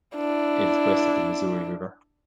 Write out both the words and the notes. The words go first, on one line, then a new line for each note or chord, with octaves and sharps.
It is west of the Missouri River.
D4 E4